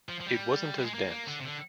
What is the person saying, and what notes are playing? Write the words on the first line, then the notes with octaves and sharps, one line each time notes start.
It wasn't as dense.
F3
F3
G3
G3
G#3
A#3
A#3
D3
C3
D3